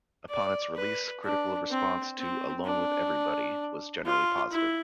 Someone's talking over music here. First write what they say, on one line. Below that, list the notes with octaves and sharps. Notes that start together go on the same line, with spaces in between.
Upon its release, critical response to "Alone with Everybody" was generally positive.
D5
B4
D4
C4
C4
D4
F4
E4